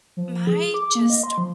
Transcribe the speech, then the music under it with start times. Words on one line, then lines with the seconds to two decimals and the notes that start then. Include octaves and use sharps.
my just
0.17 F3
0.47 G#4
0.74 D6
0.95 A#3
1.10 D#5
1.23 C6
1.38 F3